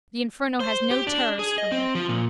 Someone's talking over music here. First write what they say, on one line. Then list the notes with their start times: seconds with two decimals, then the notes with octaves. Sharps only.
The inferno has no terrors for me.
0.60 C5
0.91 G4
1.07 D4
1.39 G#4
1.58 D#5
1.72 C4
1.95 F3
2.09 A#2